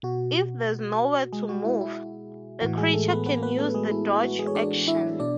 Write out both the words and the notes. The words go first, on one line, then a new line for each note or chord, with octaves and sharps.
If there’s nowhere to move, the creature can use the Dodge action.
B2 F#4
G#3 G#4
F#4
E4
E4
A2 E3 F#4
G#3 G#4
A3 A4
B3 B4
B3 B4
B3 B4
A3 A4
G#3 G#4
E4
E4
F#4
G#3 G#4
C#5
D4 D5
E4 E5
B2 D4 D5